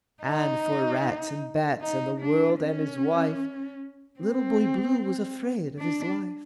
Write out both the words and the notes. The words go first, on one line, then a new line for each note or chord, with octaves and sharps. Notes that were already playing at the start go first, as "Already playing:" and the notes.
And for rats and bats and the world and his wife, Little Boy Blue was afraid of his life.
D#4
D#4
D4
C#4
C4
D4